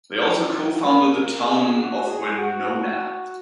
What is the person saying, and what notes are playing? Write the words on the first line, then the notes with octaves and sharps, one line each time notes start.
They also co-founded the town of Wenona.
F#3
A#3
G#4
F#4
G#4
F#4